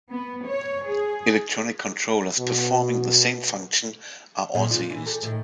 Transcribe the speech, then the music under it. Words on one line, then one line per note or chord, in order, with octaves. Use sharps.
Electronic controllers performing the same function are also used.
B3
C#5
G#4
B2
A#2 D#3 G#3
F3 D4 F4
E3
G4 A4
A2 D#3